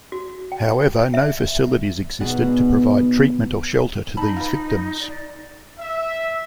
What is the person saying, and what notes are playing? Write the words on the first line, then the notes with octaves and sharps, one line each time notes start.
However, no facilities existed to provide treatment or shelter to these victims.
F#4
G5
E5
B2 B3 D#4 G#4 D5 F#5
D#4 A5 B5
F4 B4
D5
E5